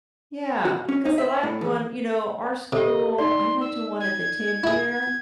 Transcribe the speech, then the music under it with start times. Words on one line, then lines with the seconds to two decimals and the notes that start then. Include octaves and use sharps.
Yeah, 'cause the last one you know, our school I went to one at the ten-year,
0.65 F#4
0.89 C#4
1.05 D#4
1.18 E5
1.43 A2
1.61 E2
2.73 C3 G4 A4 D#5
3.18 D#4 D5 C6
3.61 E6
4.00 G#6
4.64 E4 G#4